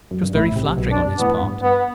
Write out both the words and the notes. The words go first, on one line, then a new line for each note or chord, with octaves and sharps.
It was very flattering on his part.
F#2
G2
A1 A2 E4
C2 C3
B1 B2
D4
G2
A1 A2 B3
G2
B3